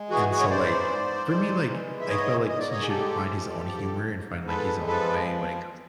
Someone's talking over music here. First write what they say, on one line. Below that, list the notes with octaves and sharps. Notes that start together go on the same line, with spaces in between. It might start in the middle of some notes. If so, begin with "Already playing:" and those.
and so, like, for me, like, I felt like he should find his own humor and find, like, his own way when it comes to telling
Already playing: G#3
E3 F#4 G#4
F#4 G#4
C#5
G#2 C5 D5
G#2
G#3
E3
E5
G#2 C#5 D#5
G#2 D#5
D5
C#5 D#5
G#4
G#3 G4 A4
F3
G#2
G#2
G#3 A4 B4
F3 A4 B4